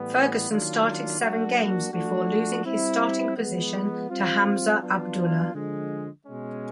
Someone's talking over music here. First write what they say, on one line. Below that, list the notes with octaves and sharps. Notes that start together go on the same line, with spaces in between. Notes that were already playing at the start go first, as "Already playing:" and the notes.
Ferguson started seven games before losing his starting position to Hamza Abdullah.
Already playing: A2 E3 G3 B3
D#3 F#3 A#3 D4 F4
F#3 A#3 D4 F#4
F3 A3 D4 F#4
G3 C4 E4
F3 G#3 B3
G3 C4 F4
F#3 B3 D4 F4
D3 F3 G#3
B2 G#3 C#4